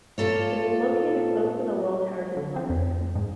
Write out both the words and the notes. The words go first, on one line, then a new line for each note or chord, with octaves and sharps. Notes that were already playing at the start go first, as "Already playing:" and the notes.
It is located close to the World Heritage Sunderbans.
A#2 F4 A4 C#5
D3
C4
F2
G#2